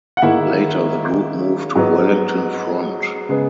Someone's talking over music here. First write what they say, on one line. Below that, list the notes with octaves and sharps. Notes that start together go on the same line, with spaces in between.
Later, the group moved to Wellington Front.
F#5
G#2 D#3 A#3 E4 E5
G#2 F#3 B3
C#3 G#3 B3